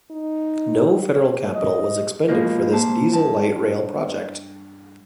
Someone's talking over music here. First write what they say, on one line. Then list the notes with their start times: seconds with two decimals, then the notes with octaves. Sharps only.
No federal capital was expended for this diesel light rail project.
0.11 D#4
1.54 D#5
2.28 B2 F3 G#3 A#3
2.70 A#3 C5 A5
3.12 G2 A5